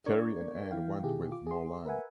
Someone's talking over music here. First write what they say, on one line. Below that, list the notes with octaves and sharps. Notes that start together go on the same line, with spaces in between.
Terry and Anne went with Morlan.
D4 A#4 D5 C#6 G#6
E3 E4 F5 G5
B2 D#3 E4 G4 G#4
F4 D6
G#4 C6
A#4 B4 E5 F#5 G#5